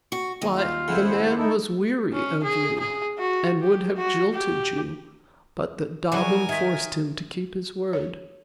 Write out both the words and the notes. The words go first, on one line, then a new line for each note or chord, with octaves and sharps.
Why, the man was weary of you, and would have jilted you, but that Dobbin forced him to keep his word.
F#4 C#6
D#2 D#5
F4
F2 C#3 E4 C5 F#5
D#4 E4 A4
C#4
G#4
G#4
F#4
G4
F#4
G4
C#3 F#3 A#4 D5 F#5 G#5
D#3 E5 G#6 B6
C#5